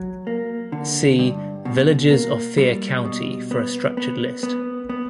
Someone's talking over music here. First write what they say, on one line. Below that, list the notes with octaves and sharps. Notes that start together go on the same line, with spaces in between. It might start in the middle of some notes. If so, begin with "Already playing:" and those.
See Villages of Fier County for a structured list.
Already playing: F#3
A#3
D3
G2
B2
A#3
G3
B2
B3
B3
B3
B3